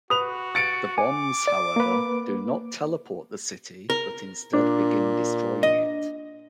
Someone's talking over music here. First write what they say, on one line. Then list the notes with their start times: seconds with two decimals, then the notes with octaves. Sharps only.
The bombs, however, do not teleport the city but instead begin destroying it.
0.10 F#4 B4 D#6 F7
0.55 A6 C#7 D7
0.98 G#5 D6
1.47 D5
1.76 A#3 B4
3.90 A#4
4.53 A#2 D4
5.63 D#5